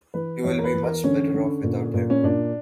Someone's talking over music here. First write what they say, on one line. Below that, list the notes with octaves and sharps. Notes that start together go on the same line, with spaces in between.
You will be much better off without him.
E3 B4
E2 C#5
A#4
B4
E2
A#4
D3 C#4
D3
A#2
A#2
C#4
A#2 D4